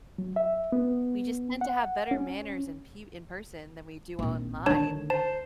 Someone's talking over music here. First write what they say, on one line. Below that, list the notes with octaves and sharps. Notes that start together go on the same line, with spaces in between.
We just tend to have better manners and pe in person than we do online.
F#3
E5
B3
F#5
C#4
A#1 C4
D3 D#3 D4 C#5 A5
C5 A5